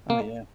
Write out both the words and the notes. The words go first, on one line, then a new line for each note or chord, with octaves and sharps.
Oh, yeah.
A#3